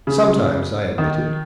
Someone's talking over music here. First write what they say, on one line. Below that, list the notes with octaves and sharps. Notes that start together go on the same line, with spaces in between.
"Sometimes," I admitted.
C#3
D#3